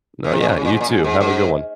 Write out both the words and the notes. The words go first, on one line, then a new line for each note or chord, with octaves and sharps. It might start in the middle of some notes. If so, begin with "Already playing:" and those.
No. Yeah. You too. Have a good one.
A#2
C3
A#2
C3
C#3
A#2
G#2
A#2
G#2
G#2
G#2